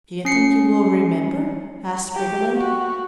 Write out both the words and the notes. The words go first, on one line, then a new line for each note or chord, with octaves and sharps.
"Do you think you will remember?" asked Briggerland.
C#4 C7 C#7
G4
F#4